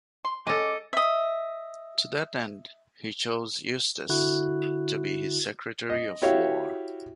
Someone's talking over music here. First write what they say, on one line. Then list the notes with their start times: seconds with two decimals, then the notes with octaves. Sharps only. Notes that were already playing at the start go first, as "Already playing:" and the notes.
To that end he chose Eustis to be his Secretary of War.
0.25 C6
0.47 G#3 C#4 A4 D#5 D6
0.93 D#5 E5
4.09 D3 E4 F#4 F#6
5.90 D#5
6.22 E4 F#4 G4 C#5 E5 F5